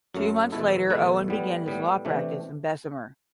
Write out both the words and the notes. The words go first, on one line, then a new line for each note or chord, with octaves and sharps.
Two months later Owen began his law practice in Bessemer.
F#2 F#3 A3
E2 B2 A3 E4 A4
E2 B2 A3 E4 A4
A2 G3 B3
A2 G3 B3
C3 E3 A3 D4